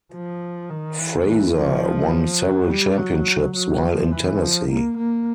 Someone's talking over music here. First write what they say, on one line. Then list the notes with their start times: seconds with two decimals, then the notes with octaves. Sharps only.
Fraizer won several championships while in Tennessee.
0.13 F3
0.70 D#3
0.99 E3
1.27 E3
1.55 F3
2.41 F#3
2.70 G3
2.98 F#3
3.55 F#3
3.84 F3
4.12 E3
4.40 F3
4.69 A#3
4.97 A#3